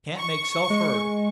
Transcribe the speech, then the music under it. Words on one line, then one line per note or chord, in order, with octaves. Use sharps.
Can't make self heard.
C#6
G#3